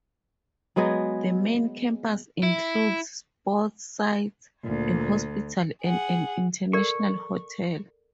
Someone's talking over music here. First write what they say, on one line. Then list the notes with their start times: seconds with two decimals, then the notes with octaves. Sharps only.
The main campus includes sport sites, a hospital, and an international hotel.
0.76 F#3 G#3 B3 G#4
2.43 E4
4.64 D2 A#2
5.82 G#4 F#5
6.73 A4 A#4 D5 C#6